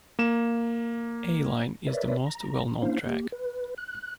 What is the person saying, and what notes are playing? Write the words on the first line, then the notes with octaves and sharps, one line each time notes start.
"A-Line" is the most well-known track.
A#3 E7
A#4 B4 C#5 D5 E5
A#5
A#3 C#4 D4 E4 C5 F5
A#3 G4
B4
F#6